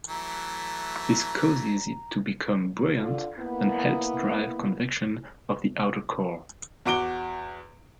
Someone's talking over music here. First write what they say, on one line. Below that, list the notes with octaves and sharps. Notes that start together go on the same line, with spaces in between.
This causes it to become buoyant and helps drive convection of the outer core.
E3 F#3 A3 A#5
D3 F4
A#3 B3 E4
E2 F#4 D6 D7 G7